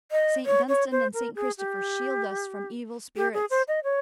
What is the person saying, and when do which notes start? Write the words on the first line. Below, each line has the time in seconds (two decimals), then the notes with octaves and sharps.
"Saint Dunstan and Saint Christopher shield us from evil spirits!"
0.12 D#5
0.46 C#5
0.68 C#5
0.91 C5
1.14 A#4
1.35 G#4
1.58 G4
3.16 G4
3.34 G#4
3.50 C5
3.68 D#5
3.84 C#5